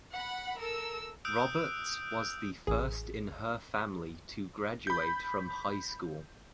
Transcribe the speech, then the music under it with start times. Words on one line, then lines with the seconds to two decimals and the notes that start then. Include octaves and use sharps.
Roberts was the first in her family to graduate from high school.
0.14 F#5 B5
0.59 A4 A#4 E6
1.25 D#6 E6 F#6 G6 D7
2.67 A1 G#4
4.87 B5 G6